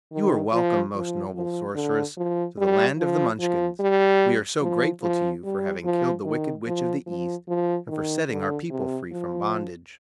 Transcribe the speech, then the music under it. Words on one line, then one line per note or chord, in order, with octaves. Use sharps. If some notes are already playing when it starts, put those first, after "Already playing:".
"You are welcome, most noble Sorceress, to the land of the Munchkins. We are so grateful to you for having killed the Wicked Witch of the East, and for setting our people free from bondage."
D#3
F3
F3
F3
D3
F3
G3
F3
F3
G3
F3
F3
G3
F3
D#3
F3
F3
F3
D#3
D3
C3
F3